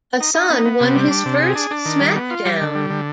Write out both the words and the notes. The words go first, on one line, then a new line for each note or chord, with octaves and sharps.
Hassan won his first SmackDown!
D#4
D#4
B3
B3
C3
G3
D4
C3
G#4
D4
D4
D#3
G3
B3
F4
G3
D3
G3
D3